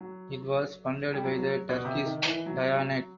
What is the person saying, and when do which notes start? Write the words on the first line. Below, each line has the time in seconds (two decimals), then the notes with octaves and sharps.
It was funded by the Turkish Diyanet.
0.01 F#3
1.14 G3
1.24 F#3
1.39 F#3
1.69 B2
1.85 C3
2.05 D#3
2.25 E3
2.46 F#3
2.77 F#3